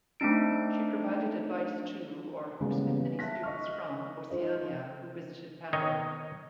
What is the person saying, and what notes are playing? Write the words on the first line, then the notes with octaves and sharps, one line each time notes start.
She provided advice to or hosted many students from Oceania who visited Canberra.
A3 C4 D4 D#4 D7
C#3 E3 G3 G#3 A#3 B3
E5 A5 F#6 A#6 B6
D#5 C#6 F6
D#4 F4 C5 D#5
D#3 C#5 D#5